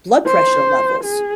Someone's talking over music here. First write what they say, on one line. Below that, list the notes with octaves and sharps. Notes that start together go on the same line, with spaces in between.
blood pressure levels,
C5
G#4